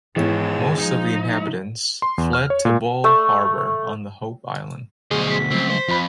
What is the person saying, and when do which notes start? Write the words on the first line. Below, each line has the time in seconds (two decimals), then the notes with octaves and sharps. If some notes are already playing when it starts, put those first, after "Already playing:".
Most of the inhabitants fled to Bull Harbour on Hope Island.
0.16 G#2 D#3 E3 G#3 B3 C#5
0.78 F3 D#4
2.02 C6
2.18 E2
2.33 F6
2.50 C#5
2.65 A#2
3.04 A3
5.11 D2 B2 F#3 G#4 C5 D#5
5.30 B6
5.51 C#2 F3 F#3 A3 C4
5.70 C5
5.88 F2 F4 B5